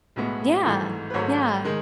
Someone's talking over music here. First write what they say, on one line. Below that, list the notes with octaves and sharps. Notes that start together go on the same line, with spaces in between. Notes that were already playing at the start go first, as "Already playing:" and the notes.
Yeah, yeah.
B1 A2 G#3 B3
G#1 G#2 E3 A3
B4
G#1 G#2 F#3 A3 C#5
D#3 G#3